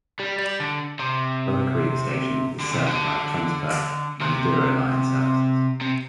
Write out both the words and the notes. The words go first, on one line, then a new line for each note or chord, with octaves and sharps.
Bull Creek station is served by Transperth Mandurah line services.
G3
G3
D3
C3
D3
C3
D3
C3
C3